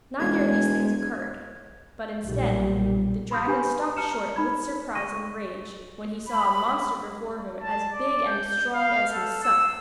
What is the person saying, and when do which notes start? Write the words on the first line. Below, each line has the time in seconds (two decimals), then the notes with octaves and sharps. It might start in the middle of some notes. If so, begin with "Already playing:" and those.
Neither of these things occurred, but, instead, the dragon stopped short with surprise and rage when he saw a monster before him as big and strong as himself.
0.20 E1 G#3 G#6
2.25 B1 A#2 G3
3.31 B5 C6 D#6 F6 G6
3.47 D4 G4 B4 G#5 B5
3.97 A5 A#5 F6 C#7 E7
4.36 D#4 B5 G#6
4.95 C#6 A#6 D#7
6.27 B5
7.62 A5
7.92 D5
8.27 G6
8.73 F5
9.12 A4
9.44 E6